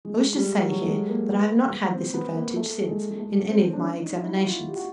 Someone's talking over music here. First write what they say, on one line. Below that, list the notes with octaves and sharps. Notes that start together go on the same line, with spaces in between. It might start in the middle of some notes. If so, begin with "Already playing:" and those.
I wish to say here that I have not had this advantage since in any of my examinations.
G#3
G3
F#3
A3
G#3
A#3
B3
C4
B3
A#3
A3
G#3
G#3
A3
C#4
C4
D4
C#4
D#4
D#4
E4
F#4
F4
G4
F#4